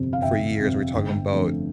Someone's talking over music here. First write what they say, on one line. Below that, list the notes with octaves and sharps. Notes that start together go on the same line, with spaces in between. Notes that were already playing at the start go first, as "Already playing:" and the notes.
for years, we're talking 'bout
Already playing: G1 F2 C3
F5
G1 E5 G5
F2 C3
G1
F2 D3 F3 A3